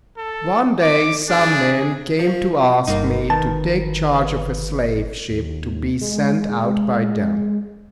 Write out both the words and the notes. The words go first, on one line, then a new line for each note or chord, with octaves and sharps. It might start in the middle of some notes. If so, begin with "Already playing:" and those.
One day some men came to ask me to take charge of a slave ship to be sent out by them.
A4
D6
D4 G#4
F3
G1 G2 A#3 D#4
D#3 B4 A5
D#2
G#3